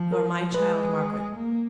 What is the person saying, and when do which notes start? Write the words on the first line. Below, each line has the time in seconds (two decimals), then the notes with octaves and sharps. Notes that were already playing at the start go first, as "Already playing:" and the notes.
You are my child, Margaret.
Already playing: F3
0.12 A#4
0.54 G#3 B4
1.36 A#3